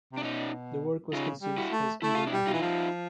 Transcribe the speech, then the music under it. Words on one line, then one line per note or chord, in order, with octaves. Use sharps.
The work was conceived as undramatic.
C3 D4
B2 C#4 D#4
C#3 D#4 F4
G3
E4 F#4
A3
A3 E4
F4
D4 E4
G3
D#4 F4
E3
F3